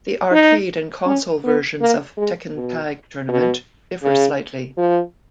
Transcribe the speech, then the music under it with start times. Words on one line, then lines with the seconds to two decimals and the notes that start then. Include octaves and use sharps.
The arcade and console versions of "Tekken Tag Tournament" differ slightly.
0.31 D#4
1.06 C#4
1.44 B3
1.81 A#3
2.17 G#3
2.55 B2
3.29 B2
4.03 C#3
4.77 F3